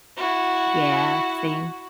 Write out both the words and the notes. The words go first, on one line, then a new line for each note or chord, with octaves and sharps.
Yeah, same.
E4 F#4